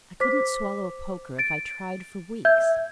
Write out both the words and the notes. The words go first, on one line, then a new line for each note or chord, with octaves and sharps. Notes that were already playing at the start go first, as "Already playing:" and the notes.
I couldn't swallow a poker if I tried for weeks.
C5 D6 B6
A6 D7
E5 G6 G#6